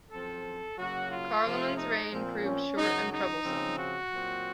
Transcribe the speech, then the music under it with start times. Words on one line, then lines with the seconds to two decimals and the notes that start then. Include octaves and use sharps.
Carloman's reign proved short and troublesome.
0.10 F#2 F3 C4 A4
0.77 C#3 F#3 A#3 F#4
1.11 F4
1.44 C3 F3 A3
1.77 D#4
2.11 A#2 F3 C4
2.44 C#4
2.77 F#2 C#3 F#3 D#4
3.11 D#4
3.44 C#3 F3 C4
3.78 F#4
4.11 A#2 F#3 C4